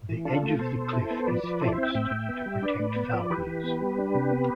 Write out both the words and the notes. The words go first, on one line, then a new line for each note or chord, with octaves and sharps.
The edge of the cliff is fenced to protect falcons.
E3
D4 F4 A4
A3
B2 A4 C5
B2
E4
B3
F3 B4 D5
F3
E4 A4 C5
D5
C5 E5
C4
E5 G5
A2 E5 G5
A2
B3
G3
D4 B4 D5
A2
B3
F3
E3 G4 B4
E3
B3
G3
D4
C3
B3